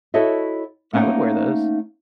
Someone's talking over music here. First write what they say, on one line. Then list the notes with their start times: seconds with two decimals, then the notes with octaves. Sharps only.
I would wear those.
0.14 E4 F#4 A4 C#5 D#5 E5
0.93 A3 A#3 C#4 D#4 F#5 G5